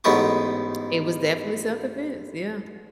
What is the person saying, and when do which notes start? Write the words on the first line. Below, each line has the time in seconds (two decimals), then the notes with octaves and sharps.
It was definitely self-defense. Yeah.
0.04 A1 G#2 B3 G4 C#6